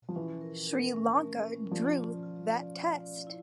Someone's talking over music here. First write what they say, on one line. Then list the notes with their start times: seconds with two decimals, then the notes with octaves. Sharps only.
Sri Lanka drew that Test.
0.09 F3
0.16 E3 C#4
0.41 A#4
0.68 A#4
0.93 C#4
1.20 A3
1.46 C#4
1.71 F3 D5
1.98 F4
2.23 F4
2.49 D5
2.75 F4
3.01 D5
3.27 E4